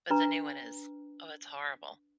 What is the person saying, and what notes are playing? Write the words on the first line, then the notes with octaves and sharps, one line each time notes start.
But the new one is Oh, it's horrible.
D4 B4 A#5